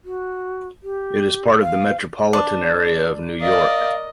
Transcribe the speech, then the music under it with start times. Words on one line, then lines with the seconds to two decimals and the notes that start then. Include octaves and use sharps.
It is part of the metropolitan area of New York.
0.04 F#4
0.83 G4
1.61 F5
2.33 D4
3.42 A#4 D5 D#5 F5